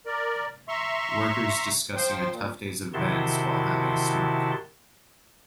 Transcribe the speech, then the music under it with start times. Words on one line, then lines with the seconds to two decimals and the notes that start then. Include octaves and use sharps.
Workers discussing a tough days events while having a smoke.
0.06 A#4 D5
0.68 E5 A#5 C6 C#6
1.96 F3 C5 G5 C6
2.31 A#2
2.94 C3 D#3 E4 F#4 A5 C6